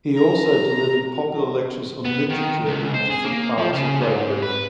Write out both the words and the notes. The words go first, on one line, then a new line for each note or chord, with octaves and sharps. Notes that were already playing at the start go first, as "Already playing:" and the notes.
He also delivered popular lectures on literature in different parts of Great Britain.
A#5
B3
D#3
C#2
C5
G#4
A#3
F3
C#3
G#2
B4